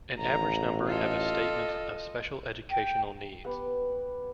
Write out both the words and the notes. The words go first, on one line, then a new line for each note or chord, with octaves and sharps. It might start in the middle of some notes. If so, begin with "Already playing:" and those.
An average number have a statement of Special Educational Needs.
A1 A#5
F4 A4 D#5
G5
B3 G4 F#5